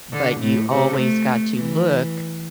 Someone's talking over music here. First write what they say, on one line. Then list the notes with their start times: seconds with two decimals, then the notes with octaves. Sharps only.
But you always got to look
0.12 D3
0.41 A2
0.70 C3
0.97 A3
1.55 E3